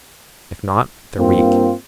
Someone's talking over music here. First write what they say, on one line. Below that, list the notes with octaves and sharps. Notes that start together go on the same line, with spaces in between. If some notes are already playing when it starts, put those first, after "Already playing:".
If not, they're weak.
G2 A#3 C4 F4